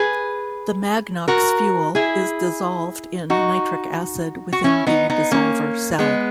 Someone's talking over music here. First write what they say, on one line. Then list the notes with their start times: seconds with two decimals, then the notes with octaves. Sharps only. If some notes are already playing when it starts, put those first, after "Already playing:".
The Magnox fuel is dissolved in Nitric acid within the Dissolver Cell.
Already playing: G#4 B4
1.28 F#4 A#4
1.95 E4 G#4
3.30 D#4 F#4
4.53 F#4
4.64 C#4 E4
4.87 B3 D#4
5.10 B3 D#4
5.31 A#3 C#4
5.99 G#3 B3